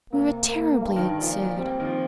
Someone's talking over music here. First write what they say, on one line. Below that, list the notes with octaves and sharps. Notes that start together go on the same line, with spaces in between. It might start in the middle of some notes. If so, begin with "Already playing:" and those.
We were terribly absurd.
C3 A#3
A#3
G2
D#3
D#3
A#2 F3
G3 C4
A#3
D#3
F3